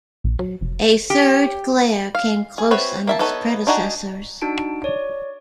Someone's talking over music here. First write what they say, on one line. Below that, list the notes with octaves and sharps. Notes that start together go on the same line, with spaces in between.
A third glare came close on its predecessors.
A#1
F#3
F1
G4
F5
G#4
C4 F#4 B4 C#5 E5
A#3 E5 A5
B3 D#4 A4 B4 C#5
D4 D#4 F#4 G#5 A#5
D4 D#4 F#4 A5 D7
C#5 D5